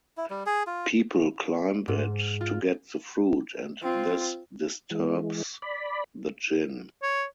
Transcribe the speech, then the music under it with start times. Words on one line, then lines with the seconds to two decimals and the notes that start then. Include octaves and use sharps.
People climb it to get the fruit, and this disturbs the jinn.
0.17 E4
0.30 G3
0.46 G#4
0.67 F4
1.88 G#2
2.41 F4
3.82 C4 F4
4.91 E3 G#3
5.62 D5 B5
7.03 C#5